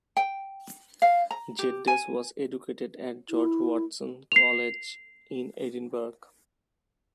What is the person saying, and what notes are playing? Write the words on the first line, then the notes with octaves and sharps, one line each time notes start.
Geddes was educated at George Watson's College, in Edinburgh.
G5
F5
A#5
G4
G#5
E4
C7 F7